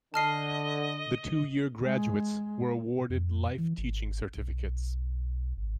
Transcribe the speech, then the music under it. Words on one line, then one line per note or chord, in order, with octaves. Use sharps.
The two-year graduates were awarded life teaching certificates.
D3 D#5 A5 F6 C7
G#3
F2
E3
G#1
B1
G#1